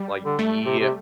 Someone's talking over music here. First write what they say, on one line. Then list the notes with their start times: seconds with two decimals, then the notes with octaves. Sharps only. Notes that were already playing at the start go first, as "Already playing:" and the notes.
like be
Already playing: G3
0.25 D3
0.39 A3
0.66 C3
0.79 C3